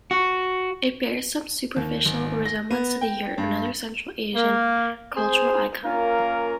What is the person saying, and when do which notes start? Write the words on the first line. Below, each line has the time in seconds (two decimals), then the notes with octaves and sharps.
It bears some superficial resemblance to the yurt, another Central Asian cultural icon.
0.11 F#4
1.76 D#2
2.05 G#1
2.46 A#6
2.71 B3
3.01 G5
3.38 G2
4.35 A#3
5.15 C4 G#4 C5
5.84 A#3 C#4 F4 A#4